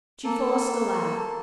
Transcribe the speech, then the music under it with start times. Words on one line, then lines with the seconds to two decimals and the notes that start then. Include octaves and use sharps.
She forced a laugh.
0.25 A#3 A4